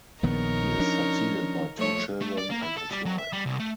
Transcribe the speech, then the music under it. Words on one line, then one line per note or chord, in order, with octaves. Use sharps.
He is succeeded by two children and his wife.
A#1 D#3 B3 D#4 A#4 C#5
F3 C#4 D4
F3 A3 C#5
A3
D5
A#3
E4
A4
G3
F#3
E5
G3
C2
A3